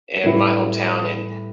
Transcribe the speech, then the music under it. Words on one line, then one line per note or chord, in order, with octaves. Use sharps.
in my hometown, and
A2 G3 E4 G4 B4